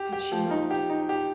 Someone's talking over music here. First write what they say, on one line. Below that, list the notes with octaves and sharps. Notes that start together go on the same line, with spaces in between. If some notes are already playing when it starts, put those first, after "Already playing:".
Did she not?
Already playing: G4
G4
F3
D#4
G4
D#4
G4